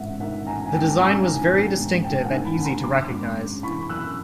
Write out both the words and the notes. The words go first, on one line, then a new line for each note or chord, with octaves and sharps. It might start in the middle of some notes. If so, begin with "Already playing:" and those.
The design was very distinctive and easy to recognise.
Already playing: A1 G#2 E5 F#5
D#3 E5 F#5
A1 G#5 A#5
G#5
G#2 G5 A5
A1 G#5 A#5
D#3
A1
G#2
A1 G5 A5
F#5 G#5
D#3
A5 B5
A1
A#5 C6
F#2 C6 D6
G#1
C#3
E3 B5 C#6
F#2 E6 F#6